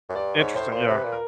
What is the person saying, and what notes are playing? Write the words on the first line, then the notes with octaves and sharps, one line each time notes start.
Interesting, yeah.
F#2
G2 D5
G#2 C#5
A2 C5
A#2 C5
C3 B4
A#2
A#4